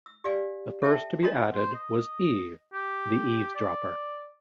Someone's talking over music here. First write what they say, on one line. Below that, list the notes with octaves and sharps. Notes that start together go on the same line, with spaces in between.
The first to be added was Eve, the eavesdropper.
E6
G4 D5 F5 G#5
A4 E5 G5 A5
D4 F4 F#4 A#4 C#5 D#5
C5
D#5
G4
D5